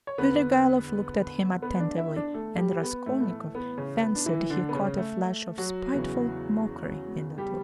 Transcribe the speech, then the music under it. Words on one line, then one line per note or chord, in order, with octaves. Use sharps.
Svidrigailov looked at him attentively and Raskolnikov fancied he caught a flash of spiteful mockery in that look.
C#5
E2 D3 B3 B4
B3 B4
D4 D5
E4 E5
D4 D5
A3 A4
G3 G4
B3
A2 E3 A3
B3
A3
B3
C#3 C#4
B3
D4
E3 E4
D3 D4
B3
C#3 C#4
A3
A3
F#3 F#4
E2 C#3 E3
G3 G4